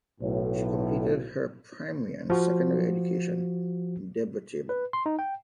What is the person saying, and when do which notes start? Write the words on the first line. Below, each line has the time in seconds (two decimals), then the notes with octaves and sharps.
She completed her primary and secondary education in Debre Tabor.
0.21 B1 A2
2.30 F3 F#4
4.69 B4
4.93 C6
5.06 D#4
5.19 G5